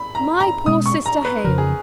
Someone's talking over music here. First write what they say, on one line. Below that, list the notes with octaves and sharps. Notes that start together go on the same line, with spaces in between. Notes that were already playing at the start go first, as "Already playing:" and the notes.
My poor sister Hale!
Already playing: B5
A#5
A#5
B2 G#3 C#4 D#6
C#6
A#5
B4
F2 C#3 F3 A#4
G#4